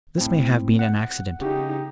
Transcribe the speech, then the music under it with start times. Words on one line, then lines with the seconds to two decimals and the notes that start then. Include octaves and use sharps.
This may have been an accident.
0.18 A2 C4
0.79 F#5
1.41 C#3 D#4 G4